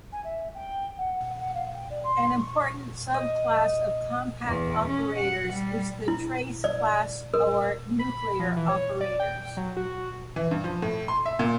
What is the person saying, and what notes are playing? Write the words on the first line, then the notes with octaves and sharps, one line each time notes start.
An important subclass of compact operators is the trace-class or nuclear operators.
G#5
E5
G5
F#5
F#5
F5
G5
D5
C6
C#6
D#5
E2
C#4
F#5
G3
E4
D5
A#4
B5
F3
E3
C#5
D5
G5
F#3
F#4
E3
G2
F3
A2
C6
E5
A#2